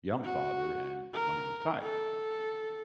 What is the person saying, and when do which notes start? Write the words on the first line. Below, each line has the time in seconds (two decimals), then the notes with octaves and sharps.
young father and money was tight.
0.24 F#4
1.14 A#4
1.82 A4